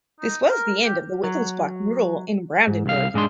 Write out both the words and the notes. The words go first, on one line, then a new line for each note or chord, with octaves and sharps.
This was the end of the Wittelsbach rule in Brandenburg.
D#4
A#4
G4
F#3
G#2
C2 F5
G#2 G#3 D4 C6